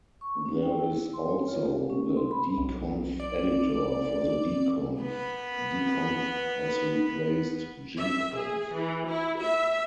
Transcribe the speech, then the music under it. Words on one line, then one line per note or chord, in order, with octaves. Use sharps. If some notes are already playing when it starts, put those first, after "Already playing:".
There is also the dconf-editor for the dconf; dconf has replaced Gconf.
C#6
C#4
G5
E4
C6
C#5
F4
G4
C#4
C6
B5
B1
D5
B3 B4
E5
G#4
E3
E4
E5